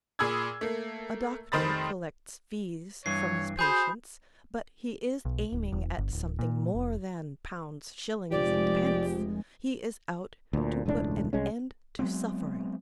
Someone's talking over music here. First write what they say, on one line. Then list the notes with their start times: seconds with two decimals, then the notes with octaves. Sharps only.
A doctor collects fees from his patients, but he is aiming at something more than pounds, shillings, and pence; he is out to put an end to suffering.
0.19 A#2 G#4 B5 D#6 E6 G#6
0.61 A3 A#3
1.52 F1 D#3 C5 B5 D#6 A6
3.06 G2 E3 C#5 C7
3.59 F#4 G#4 C5 G#5 B5 D#6 G6
5.25 B1
5.52 D1
5.72 E1
5.98 G1
6.13 D1
6.39 A#2
6.75 F1
8.31 F1 F3 G#3 G4 D5
10.53 D2 A#2
10.86 E1 C#2 A2 D4
11.33 C2 G#3 C#4
11.99 F#3 G#3 B3 C4